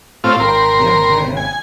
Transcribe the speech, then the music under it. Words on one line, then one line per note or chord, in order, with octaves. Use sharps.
Yeah, yeah, yeah,
A2 C4 F4
G#1 A#4 G5 B5 C6
G#5